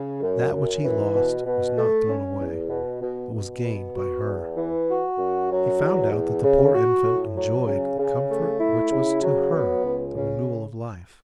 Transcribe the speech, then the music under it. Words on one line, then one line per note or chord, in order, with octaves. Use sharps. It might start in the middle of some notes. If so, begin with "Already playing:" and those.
That which he lost was not thrown away, but was gained by her. He found out that the poor infant enjoyed the comfort which was to her the renewal of life.
Already playing: C#3
F#2
F#2
E3
B2
B2
A3
C#4
E2
B2
B2
B2
B3
F#4
E2
E3
F#4
F#2
F#3
E2
E2
C#3
F#4
A2
F#3
C#3
C#3
A3
E4
C#3
F#3
B3
C#2
C#3